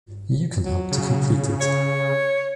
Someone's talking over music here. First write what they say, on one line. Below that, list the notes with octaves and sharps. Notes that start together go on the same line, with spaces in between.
You can help to complete it.
F#3
C#3
C#5